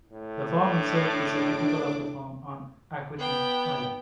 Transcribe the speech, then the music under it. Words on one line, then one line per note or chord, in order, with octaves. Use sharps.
The farm itself is typical of the farms on Aquidneck Island.
A2
D4 D6
B3 G5